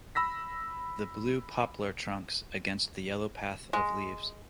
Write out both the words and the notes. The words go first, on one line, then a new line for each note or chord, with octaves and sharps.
The blue poplar trunks against the yellow path of leaves.
B5 E6 A#6 B6
G#3